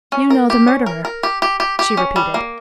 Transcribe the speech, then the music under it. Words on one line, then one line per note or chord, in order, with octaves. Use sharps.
"You know the murderer," she repeated.
C#4
A#4
G4
C#4
A#4
A#4
G4
G4
G4
G4
C#4
G3
A#3